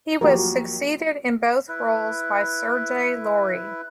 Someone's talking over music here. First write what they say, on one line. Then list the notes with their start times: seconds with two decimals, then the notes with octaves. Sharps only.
He was succeeded in both roles by Serge Lourie.
0.21 D#2 F3 F#3 F#4 G4 A#4
1.68 E4 B4